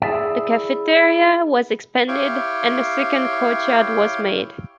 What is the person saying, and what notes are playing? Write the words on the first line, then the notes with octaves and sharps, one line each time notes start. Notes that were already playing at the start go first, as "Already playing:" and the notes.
The cafeteria was expanded and a second courtyard was made.
E4 G#4 D5 E5
E4 G4 C#5 F5 G5